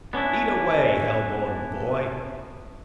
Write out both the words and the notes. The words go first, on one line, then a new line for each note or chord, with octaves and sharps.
Eat away, hell-born boy!
B3 C#4 D4 E4